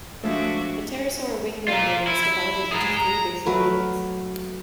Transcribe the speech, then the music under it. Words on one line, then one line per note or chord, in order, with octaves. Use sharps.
The pterosaur wing membrane is divided into three basic units.
F3 G#3 A3 D4 F#4 E5
F4 A#4
E4
E4
G#4 A#5
A#5
F#3 A3 A#4 B4